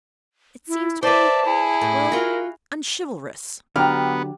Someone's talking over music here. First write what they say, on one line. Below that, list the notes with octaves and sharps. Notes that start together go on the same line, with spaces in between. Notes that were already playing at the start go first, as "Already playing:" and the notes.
It seems to me--well--unchivalrous.'
E4
B4 C5 D5 E5 A5
E4 G#4
A2
F4 F#4 A#4
D3 F#3 B3 G4 A#5 F6